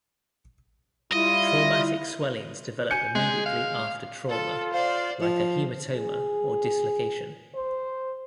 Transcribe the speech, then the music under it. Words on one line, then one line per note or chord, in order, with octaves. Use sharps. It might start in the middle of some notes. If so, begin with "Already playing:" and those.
Traumatic swellings develop immediately after trauma, like a hematoma or dislocation.
G3 E4 F4 D#5
G#5 G6 C#7
G#3 G#4
F5
F4 A4
C5 D5 F5
F3
G#4
C5